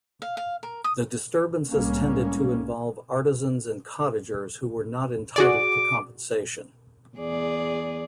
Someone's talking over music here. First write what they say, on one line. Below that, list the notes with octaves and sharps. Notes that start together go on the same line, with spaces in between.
The disturbances tended to involve artisans and cottagers who were not entitled to compensation.
F5
F5
A#4
D#6
C2 A2 G3 G#3 A#3 C#4
F#4 G#4 D5 D6
E2 G#4 D5